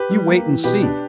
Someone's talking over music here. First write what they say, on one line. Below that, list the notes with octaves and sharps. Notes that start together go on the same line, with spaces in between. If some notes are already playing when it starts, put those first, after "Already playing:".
You wait an' see.
Already playing: G4 B4
G3
A#3
E3
B2 G4 B4
D4